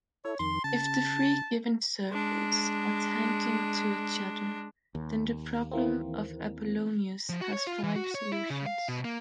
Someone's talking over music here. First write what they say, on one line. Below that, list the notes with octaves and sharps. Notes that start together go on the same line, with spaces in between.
If the three given circles are tangent to each other, then the problem of Apollonius has five solutions.
E4 A4 C#5
F2 D#3 C6
C#3 A5
G#3 D4
D#2
E3 A#3 C4
F3
F#4
C#5
F4
E3
F#4
C#5
E4
C#3
F5
B2
A#3